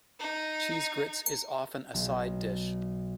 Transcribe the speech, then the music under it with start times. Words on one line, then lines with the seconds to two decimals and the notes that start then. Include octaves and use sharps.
Cheese grits is often a side dish.
0.20 D#4
1.94 B1